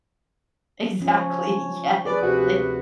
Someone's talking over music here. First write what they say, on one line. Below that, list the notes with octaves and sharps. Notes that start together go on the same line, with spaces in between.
Exactly, yes, like
F3 C#4
G#4 B4 D5
D2 C3 F#4